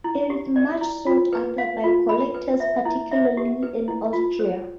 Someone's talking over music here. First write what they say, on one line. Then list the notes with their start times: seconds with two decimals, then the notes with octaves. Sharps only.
It is much sought after by collectors, particularly in Austria.
0.04 E4
0.30 G4
0.56 D5
0.81 E4
1.07 F4
1.33 B4
1.58 F5
1.84 F4
2.09 B5
2.34 B4
2.60 E5
2.85 E4
3.12 E5
3.37 G4
3.63 B4
3.88 E4
4.13 F4
4.39 C5